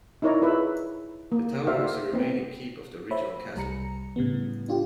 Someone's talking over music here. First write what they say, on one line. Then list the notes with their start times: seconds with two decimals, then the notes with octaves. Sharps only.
The tower is the remaining keep of the original castle.
0.22 D#4 E4 A#4 C#5 D5 A#5
0.42 E4 F4 G#4 B4 C#5 E5
1.32 A#3
1.67 F#4 C5 D5 E5 F5
2.13 B3 C4
3.11 C5 C#5 E5 B5
3.55 C2 G3 A#5 C#7
4.16 A2 C#3 G3 B3
4.69 D4 F4 G4